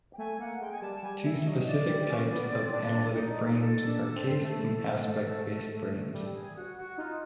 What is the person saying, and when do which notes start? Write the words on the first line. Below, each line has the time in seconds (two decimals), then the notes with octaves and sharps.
Two specific types of analytic frames are case and aspect based frames.
0.13 G5
0.17 A3 G#5
0.39 A#3 F#5
0.61 G#3 G5
0.71 G#5
0.81 G3 A5
1.02 G3 G#5
1.24 E5
1.45 F#3 D#5
1.67 D5
1.88 G3
2.09 C#4
2.31 B3
2.52 C4
2.73 D4
3.15 D#4
3.58 A4
3.86 D4
4.15 C4
4.43 A3 A4
5.28 A3
6.13 G3 A4
6.34 G#4
6.56 F#4
6.77 F#4
6.98 D#4 F4